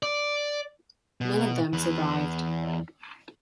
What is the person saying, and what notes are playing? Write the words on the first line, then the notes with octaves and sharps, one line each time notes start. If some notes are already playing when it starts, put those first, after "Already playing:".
None of them survived.
D5
B2
E2 B4